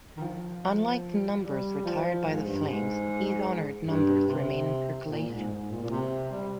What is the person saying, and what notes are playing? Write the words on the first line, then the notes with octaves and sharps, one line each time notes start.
Unlike the numbers retired by the Flames these honoured numbers remain in circulation.
D#3
F3
G3
F3
G#2
G2
G#2
G2
C3
A#2
G#2
G#2
A#2
A#2
C3
G3